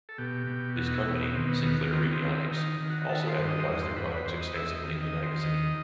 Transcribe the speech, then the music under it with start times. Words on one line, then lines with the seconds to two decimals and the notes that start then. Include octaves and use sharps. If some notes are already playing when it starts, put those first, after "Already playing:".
His company, Sinclair Radionics, also advertised their products extensively in the magazine.
0.09 A4
0.18 B2 G4
0.47 B2
0.76 E2 F#4
0.86 D#4
0.95 E4
1.06 B2
1.15 D#4
1.34 D#3 C4
1.49 B3
1.63 D#2 B3
1.93 D#3 C4
2.02 B3
2.12 C4
2.21 D#3
2.51 D#3 D#4
2.80 D#3
2.90 F#4
3.09 D#3 A4
3.22 B4
3.28 C5
3.38 G2
3.49 D#5
3.59 C5
3.68 E2 D#5
3.82 C5
3.97 E2 B4
4.11 B4
4.25 E2 C5
4.41 D#5
4.55 E2 E5
4.70 D#5
4.84 D#3
5.03 D#5
5.14 D#3
5.23 C5
5.43 D#2 D#5